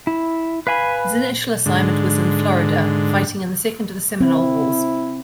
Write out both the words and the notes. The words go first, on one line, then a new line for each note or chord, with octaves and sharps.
His initial assignment was in Florida fighting in the second of the Seminole Wars.
E4
B4 F5 G#5 B5
G#2 D3
C4 E4